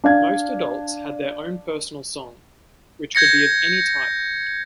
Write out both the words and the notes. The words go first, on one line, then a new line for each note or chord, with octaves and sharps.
Most adults had their own personal song, which could be of any type.
D4 F5 G#6
G6 G#6 A#6 C#7